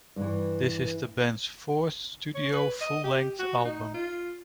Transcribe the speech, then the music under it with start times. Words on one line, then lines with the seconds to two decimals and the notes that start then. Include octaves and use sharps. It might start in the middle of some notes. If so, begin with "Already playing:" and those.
This is the band's fourth studio full-length album.
0.16 G2 E3
2.35 C#5
2.53 B4
2.81 D#5
3.04 G4
3.39 F#4
3.64 D#4
3.94 F4